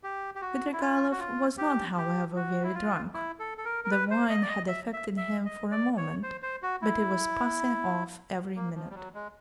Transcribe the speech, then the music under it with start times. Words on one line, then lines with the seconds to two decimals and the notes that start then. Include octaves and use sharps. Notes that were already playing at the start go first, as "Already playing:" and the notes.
Svidrigailov was not however very drunk, the wine had affected him for a moment, but it was passing off every minute.
0.03 G4
0.35 G4
0.42 F#4
0.73 E4
0.80 F4
1.11 F#4
1.20 F4
1.58 G4
1.97 G4
2.36 F#4
2.63 E4
2.74 F4
3.14 E4
3.39 A4
3.58 A4
3.65 A#4
3.84 A#4
3.91 B4
4.11 C5
4.30 D#5
4.42 D5
4.49 D#5
4.68 E5
4.93 E5
5.17 E5
5.45 D#5
5.71 D5
5.97 C#5
6.23 C5
6.43 C5
6.62 F#4
6.82 E4
8.56 A#3
8.75 F3
8.90 G3
8.95 F#3
9.14 G#3